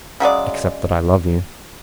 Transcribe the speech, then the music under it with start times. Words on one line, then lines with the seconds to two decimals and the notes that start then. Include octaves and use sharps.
"Except that I love you."
0.20 C#3 F#3 G#3 D5